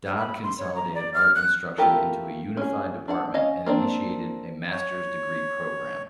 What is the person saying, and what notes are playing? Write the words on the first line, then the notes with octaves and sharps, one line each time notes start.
Dodd consolidated art instruction into a unified department and initiated a master's degree program.
B5
C6
C#5
A#5
D5
F6
F#6
A3 E4 F4 G4 A#4
C#4 G#4
D4 D5 F#5
C#4 D#5 F5
A#3 C4 D4
C#5